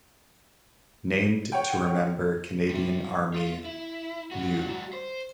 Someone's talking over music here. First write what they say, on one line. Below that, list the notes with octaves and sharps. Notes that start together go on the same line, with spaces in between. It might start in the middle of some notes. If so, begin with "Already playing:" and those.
Named to remember Canadian Army Lieut.
C#5 F#5 G5
G3 C4
F4
E4
G3 F#4
C5